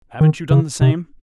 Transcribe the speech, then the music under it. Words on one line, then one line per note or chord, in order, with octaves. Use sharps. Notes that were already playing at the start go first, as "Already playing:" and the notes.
Haven't you done the same?
D#3
C#3
C3